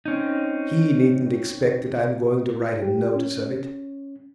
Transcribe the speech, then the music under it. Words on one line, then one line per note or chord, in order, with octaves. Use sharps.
He needn't expect that I'm going to write a notice of it.
C4 C#4 D#4
G4
C#4